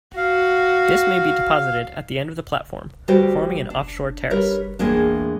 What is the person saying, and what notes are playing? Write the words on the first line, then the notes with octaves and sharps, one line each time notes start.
This may be deposited at the end of the platform, forming an off-shore terrace.
F#4 F5
D2 G3 F#4 B4 C5 D5
D4
G3 A#4 B4 C#5
E2 A2 G#3 A#3 D4